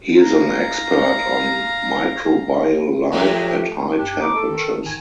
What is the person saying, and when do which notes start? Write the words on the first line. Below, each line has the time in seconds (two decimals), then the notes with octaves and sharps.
He is an expert on microbial life at high temperatures.
0.20 F5 A#5
3.12 A2 F3 F#3 G#3 A3 G4 E5
3.97 G2 D4 G4
4.20 A3 D#4 D6
4.35 A4
4.50 D#3
4.85 G#2 D#3 G#5